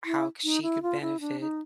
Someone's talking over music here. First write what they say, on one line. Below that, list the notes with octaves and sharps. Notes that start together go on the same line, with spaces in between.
how c she could benefit
E4
D#4
E4
F4
E4
D4
D#4